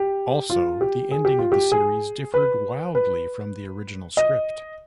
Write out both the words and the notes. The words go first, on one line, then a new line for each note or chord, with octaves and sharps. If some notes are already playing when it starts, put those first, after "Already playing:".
Also, the ending of the series differed wildly from the original script.
Already playing: G4
F4
G4
G#4
G4
F4
G4
G#4
B4
B4
D#5